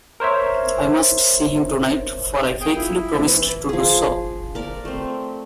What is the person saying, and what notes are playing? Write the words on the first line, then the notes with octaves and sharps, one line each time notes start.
I must see him tonight, for I faithfully promised to do so.
A#4 C5 C#5 E5
G#4 G5
E4 F4
A#3 C4 C5
E3 B4
F3 G#4
A#4 D5
A3 C4